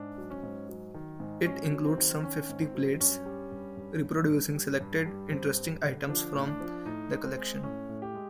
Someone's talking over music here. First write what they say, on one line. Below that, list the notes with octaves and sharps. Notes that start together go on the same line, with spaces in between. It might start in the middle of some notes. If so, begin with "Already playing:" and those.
It includes some fifty plates, reproducing selected interesting items from the collection.
Already playing: G#2 D4
F#3
C#4
G#2
F#3
D#3
G#2
F#3 C#4
F#3
C4
D#3
D#3 C#4
G#2
C4
F#3
G2 C#4
G3
G2
G2
G2
G2
G3
G2
G3
G2 C4
G3
D3
F3 D4
A2
D4
F3
A2 D#4
G#3
C4
G#3
A2 C#4
A2
G4
G#3